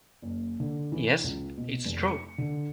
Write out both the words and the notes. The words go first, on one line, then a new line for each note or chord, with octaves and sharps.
Yes, it’s true.
F#1
D3
E3
C#2
B2
F1
C#7
D3